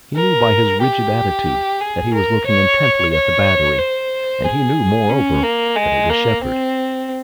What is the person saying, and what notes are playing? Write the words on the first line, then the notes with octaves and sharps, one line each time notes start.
He knew by his rigid attitude that he was looking intently at the battery and he knew, moreover, that it was Shepard.
A#4
G4
G#4
A#4
C#5
C#5
C5
G#4
C#4
A#3
G#3
A#3
C4